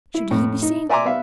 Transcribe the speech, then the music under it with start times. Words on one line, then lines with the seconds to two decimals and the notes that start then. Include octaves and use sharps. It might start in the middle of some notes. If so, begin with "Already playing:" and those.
Should he be seen?
0.14 E4
0.30 F2 A2
0.62 D#4
0.89 D5 E5 G#5 A#5 C6 D6
1.05 B3 B4 E5 F5